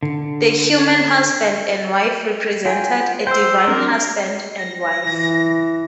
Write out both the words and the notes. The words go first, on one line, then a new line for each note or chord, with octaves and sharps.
The human husband and wife represented a divine husband and wife.
D3
F4 G5 G#5
C5 G5 E6
F#3 C4 D4 A#4
A#6
E3